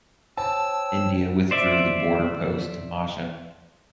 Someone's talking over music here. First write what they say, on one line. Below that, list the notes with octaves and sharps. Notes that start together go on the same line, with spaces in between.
India withdrew the border post to Maja.
C5 C#5 G5 A5 E6
C5 D5 E5